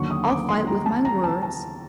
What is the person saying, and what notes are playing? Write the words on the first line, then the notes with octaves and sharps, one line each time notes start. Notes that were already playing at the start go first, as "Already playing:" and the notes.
I'll fight with my words,
Already playing: D#2 D3 F#3 C#6
D#6
D6
C6
A#5
A5
A#5
A5
A5